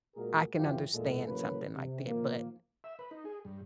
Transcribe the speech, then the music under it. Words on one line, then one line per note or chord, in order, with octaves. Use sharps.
I can understand something like that, but
A#2 G#3 F#4 G#4 A#4
G#1 F#2 E3 F3 F4 G4
E2 G2 A#2 G#3 A3 A4
A1 C#3 F#3 A#3 B4
C3
A#2 D#3 F3 A#3
E5
B4
D#4
G#4
G2